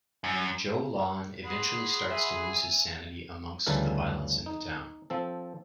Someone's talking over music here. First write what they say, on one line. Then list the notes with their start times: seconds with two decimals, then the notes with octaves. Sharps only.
Joe Lon eventually starts to lose his sanity amongst the violence in the town.
0.24 F#2
1.45 G#4 F#5 B5 C6
2.10 E5 G#5
3.66 D2 C#3 E3 G3 A4 A#4
4.46 D#4
5.10 F3 C4 A4